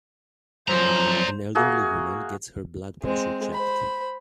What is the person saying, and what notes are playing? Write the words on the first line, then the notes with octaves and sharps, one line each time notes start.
An elderly woman gets her blood pressure checked.
F#2 F3 C5 D5 A#5
A#3 F#4 G#4 E5
G#3 C4
C5 B5